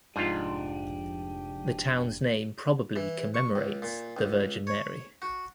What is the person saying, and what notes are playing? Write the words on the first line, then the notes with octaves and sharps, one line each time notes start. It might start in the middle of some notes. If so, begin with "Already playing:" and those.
The town's name probably commemorates the Virgin Mary.
F1 G#2 D4 F4 G4 D#5
E3
C#6
C#2
A#2
C#2
C#5
F#4